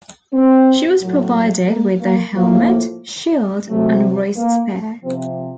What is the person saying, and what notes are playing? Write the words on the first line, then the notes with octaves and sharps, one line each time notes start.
She was provided with a helmet, shield and raised spear.
C4
A2 F#3
A#3
A#3
A2 F3 A#3
C3 F#3 A3
A#3
C3 F3 C4